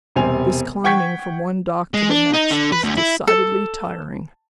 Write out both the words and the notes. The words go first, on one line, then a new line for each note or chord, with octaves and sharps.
"This climbing from one dock to the next is decidedly tiring."
E1 C3 G3 C4 G#5 F7
F#5 G5 C#6 G#6 B6
G#3
D4
D#4
D3
B4
D2
E4
A4